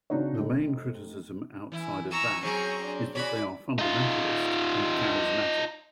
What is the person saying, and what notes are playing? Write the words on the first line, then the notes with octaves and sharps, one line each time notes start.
The main criticism outside of that is that they are fundamentalist and charismatic.
C#3 C4 D4 D#4 F#4 C#5
F1
E3 E4
G#5 A#5 C#6 E6
F#3 C4 C#4 G#4 A#5
D4
F#4 G#4 C#5 D5 B5
D#4 F4